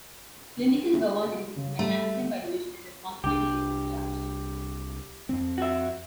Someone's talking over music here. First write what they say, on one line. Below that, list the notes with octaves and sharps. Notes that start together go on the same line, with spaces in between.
Clinical governance is the mechanism by which that responsibility is discharged.
C#3
G3 A3
C2 D4 G4
F2 C4
F#4 E5